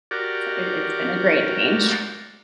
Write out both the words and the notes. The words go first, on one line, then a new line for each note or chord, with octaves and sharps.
it it's been a great change.
F#4 G4 A#4 D5